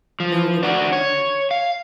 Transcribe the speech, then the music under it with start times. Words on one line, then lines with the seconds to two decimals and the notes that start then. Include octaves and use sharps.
no getting through to him,
0.20 F3
0.63 D4 F#4
0.92 C#5
1.51 F5